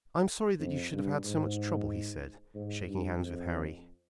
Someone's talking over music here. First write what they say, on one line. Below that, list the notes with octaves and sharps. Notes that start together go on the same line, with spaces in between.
"I am sorry that you should have had so much trouble," he said, shaking hands with Harry.
F2
G2
G#2
G#2
G2
F2